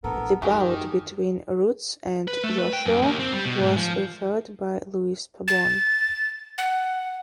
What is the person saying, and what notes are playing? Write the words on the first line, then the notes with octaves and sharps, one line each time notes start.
The bout between Ruiz and Joshua was refereed by Luis Pabon.
A#1 A2 B3 A4 A#4
F#2 D#3 F#3 A3 G4 G#4
B4
A3
B4
G5
F#2
D#2
C4
G3
B2
G#2
F3
A6
F#5